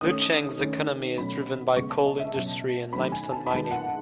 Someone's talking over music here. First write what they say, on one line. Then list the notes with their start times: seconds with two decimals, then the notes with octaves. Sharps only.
Lucheng's economy is driven by coal industry and limestone mining.
0.01 D#3 A3 C#4 D#6
0.59 D#3 A3 C#4
1.18 B2 F#3 A3 C#4 B5
1.76 C#3 G#3 B3 C#6
1.90 A5
2.05 D#5
2.20 E5
2.34 B2 F#3 C#4 A5
2.93 D#3 F#3 A3 C#4 B5
3.12 G#5
3.32 A5
3.46 B5
3.51 D#3 G#3 B3 A5
3.71 F#5